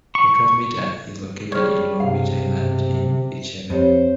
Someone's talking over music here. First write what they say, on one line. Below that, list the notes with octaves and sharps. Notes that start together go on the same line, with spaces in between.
The transmitter is located in Long Beach Island in Beach Haven.
C#6
G3 G#4 C5 C#5 F6
B1 G2 C3 F5
F2 C4 G4 C5 C#5